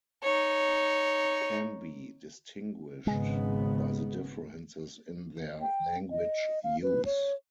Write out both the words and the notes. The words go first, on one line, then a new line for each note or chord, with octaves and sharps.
It can be distinguished by the differences in their language use.
D#4 C#5
G#1 C#3 G#3 B3
G5
D#5
F5
B4
C#5